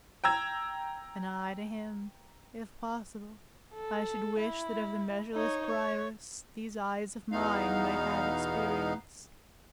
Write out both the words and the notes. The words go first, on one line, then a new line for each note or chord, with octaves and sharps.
And I to him: "If possible, I should wish That of the measureless Briareus These eyes of mine might have experience."
G5 A#5 E6 G#6
A4
E4
D#4 C#5
C#5
E2 B2 B3 D#4 F5